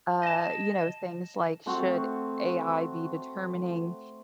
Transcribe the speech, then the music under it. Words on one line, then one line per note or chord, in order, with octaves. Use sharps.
uh, you know, things like, "Should AI be determining,
D#5 A5
A3 C4 F#4